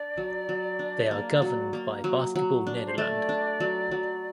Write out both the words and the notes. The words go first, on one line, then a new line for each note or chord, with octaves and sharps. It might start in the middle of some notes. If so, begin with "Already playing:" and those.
They are governed by Basketball Nederland.
Already playing: D4 D5
F#3
F#3
D4
A#3
F#3
A#3
F#3
F#3
D4
C5
A3 D5
D4
F#3
F#3